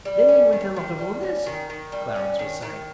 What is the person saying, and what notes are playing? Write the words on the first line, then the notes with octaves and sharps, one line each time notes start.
"Then in went a lot of others," Clarence was saying.
G3
C#4
D#3
D#3
G3
C#4
D#3
D#3
G3
C#4
D#3
D#3